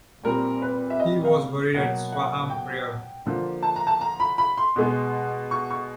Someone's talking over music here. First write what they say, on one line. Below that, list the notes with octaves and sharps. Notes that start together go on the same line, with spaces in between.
He was buried at Swaffham Prior.
A#2 G3 C4 A#4
B4
E5
D#5
F5
B2 F#3 A#3 F#5
F#5
G5
D3 F3 A#3
A5
A#5
A5
A#5
B5
B5
C6
B2 G#3 B3
C#6
C#6